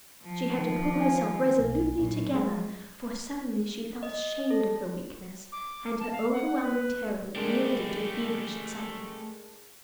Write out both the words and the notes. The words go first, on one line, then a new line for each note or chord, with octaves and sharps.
She had to pull herself resolutely together, for suddenly she felt ashamed of her weakness and her overwhelming terror yielded to feverish excitement.
F3
D#3
G#5
B1
F#2 A#2
G#3
D#5
A4
D6
A5
F5
F#5
B4
G#3 A3 D4 G4 A#4